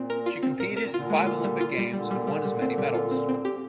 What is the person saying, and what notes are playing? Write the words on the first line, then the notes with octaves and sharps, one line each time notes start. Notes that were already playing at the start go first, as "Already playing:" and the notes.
She competed in five Olympic Games and won as many medals.
Already playing: A#2 C4
A#4
F4
A#2 C4
A#2
A#4
C3
A#2 D3 A#4
A#2 D3 F4
G#3
F4
G3
F4
G3
A#2 D3 G3
G3
G3
G3
C4
G3
F4
C4
C4
G4